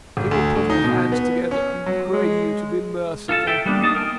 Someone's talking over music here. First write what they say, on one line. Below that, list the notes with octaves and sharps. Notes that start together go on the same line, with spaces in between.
She will put her hands together and pray you to be merciful.
G1
D2
D2
D#4
B2
B3
C#4
F#3
G#3
F4 A4 A5
A4 E5 G5
G3 A#3 B3 D4
A#3 D#4 A5 D#6
A#4 G5 G#5